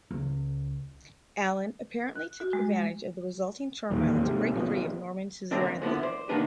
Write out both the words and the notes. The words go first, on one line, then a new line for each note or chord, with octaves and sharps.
Alan apparently took advantage of the resulting turmoil to break free of Norman suzerainty.
C#2
F#6
F#4
G#3
E1 A#1 D#2
G#2 C3
G#1 B2 F3 B3
C2 D3 F#3 C4 D4
F2
D3 F3 B3 E4
C5 D5
C3 D#3 A#3 B3 D4 B4